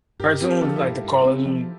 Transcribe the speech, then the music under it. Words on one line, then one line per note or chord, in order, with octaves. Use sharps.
cartoons is like the Call of Duty
G2 G4 A#4
C4 G4 A#4
F3 F4 A4
E4 G4
G2
G2
C4
F3